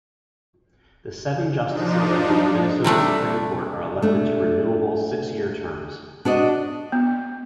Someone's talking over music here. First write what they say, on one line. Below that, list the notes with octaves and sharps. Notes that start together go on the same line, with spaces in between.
The seven justices of the Minnesota Supreme Court are elected to renewable six-year terms.
F3 D4 D#4
C3 G3 A3 D4
A3 D4
D4 F#4 D5 D#5
B3